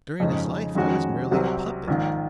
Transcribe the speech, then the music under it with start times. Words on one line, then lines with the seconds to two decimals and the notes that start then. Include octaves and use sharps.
During his life I was merely a puppet.
0.20 F2 C#3 G#3 D#4
0.75 F2 D#3 G#3 C#4 F#4
1.31 C2 C3 F#3 C4
1.88 A#1 G#2 D#3